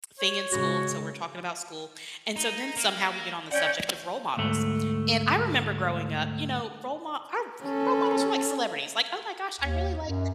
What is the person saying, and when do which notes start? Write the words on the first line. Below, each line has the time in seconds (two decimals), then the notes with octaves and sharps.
thing in school and so we're talking about school and so then somehow we get on the subject of role models and I remember growing up, you know, role mo our role models were, like, celebrities like, "Oh my gosh, I really like
0.19 C#5
0.52 C#3 G#3 F#4
2.36 D#4
2.77 A#3
3.51 C#4 D5 F#5 G5 G6
4.37 D2 G#2 A3
7.65 C#4 A4
9.61 D#2
10.05 F#2